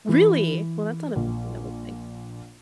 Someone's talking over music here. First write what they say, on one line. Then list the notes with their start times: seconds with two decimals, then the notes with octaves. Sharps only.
Really? Well, that's not a bad thing to look like.
0.09 E3
1.16 A#1